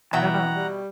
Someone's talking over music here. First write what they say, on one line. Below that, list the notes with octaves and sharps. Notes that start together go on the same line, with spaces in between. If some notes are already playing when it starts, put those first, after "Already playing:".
I don't know.
B2 E3 E5 F#5 G5 A#5
G3